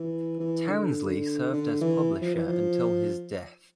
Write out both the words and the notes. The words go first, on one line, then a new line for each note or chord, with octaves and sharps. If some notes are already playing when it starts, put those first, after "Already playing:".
Townsley served as publisher until his death.
Already playing: E3
E3
D3
D3
E3
F3
E3
F3